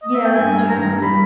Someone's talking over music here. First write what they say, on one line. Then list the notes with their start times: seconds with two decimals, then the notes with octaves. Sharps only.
Yeah, that's true.
0.02 D#5
0.14 E5
0.25 G5
0.36 G2 G#5
0.52 A#3
0.69 G2 A#5
0.85 G2
1.02 G3 B5